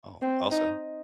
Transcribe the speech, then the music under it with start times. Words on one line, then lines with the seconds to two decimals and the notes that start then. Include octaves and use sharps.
Oh, also
0.22 C4
0.51 D#4